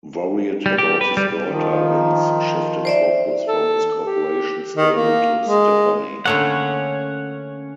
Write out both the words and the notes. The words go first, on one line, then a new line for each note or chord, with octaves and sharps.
Worried about his daughter, Vince shifted focus from his Corporation stable to Stephanie.
G3
G4
B4
G3
D#3 F3 D#4
C5 D5 E5
A4
G4
D#3
A#3
G#3
D3 A3 A#3 C#4 C#5 F#5